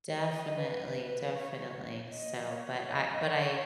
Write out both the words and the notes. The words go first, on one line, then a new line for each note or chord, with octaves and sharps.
Definitely, definitely, so but I but I
D#5
B4
C#5
D#5
C#5
D#5
C#5